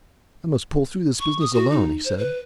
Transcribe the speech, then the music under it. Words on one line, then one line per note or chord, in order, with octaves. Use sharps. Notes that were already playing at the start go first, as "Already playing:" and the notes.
I must pull through this business alone,' he said.
C#6
D#6
F#4
D#4
C5
B4